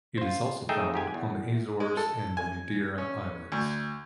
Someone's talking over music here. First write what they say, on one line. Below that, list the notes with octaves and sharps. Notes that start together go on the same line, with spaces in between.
It is also found on the Azores and the Madeira Islands.
F4 C5
A3 D#4 G#4 E5 G5
G#2 G4 G#5
E2
G#3
A4
G#5
C#4
D2